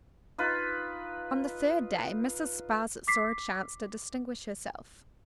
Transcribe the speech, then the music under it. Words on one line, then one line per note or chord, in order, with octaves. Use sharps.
On the third day Mrs. Sparsit saw a chance to distinguish herself.
D#4 F4 B4
D6 B6 C7